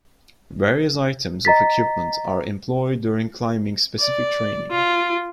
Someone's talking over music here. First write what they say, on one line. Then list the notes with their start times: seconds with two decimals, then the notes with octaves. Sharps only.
Various items of equipment are employed during climbing-specific training.
1.45 D#5 A#5 A6 B6
4.01 D5
4.71 F4